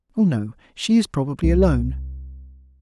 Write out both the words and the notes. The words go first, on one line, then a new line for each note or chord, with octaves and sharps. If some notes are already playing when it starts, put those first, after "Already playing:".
"Oh, no; she is probably alone."
C2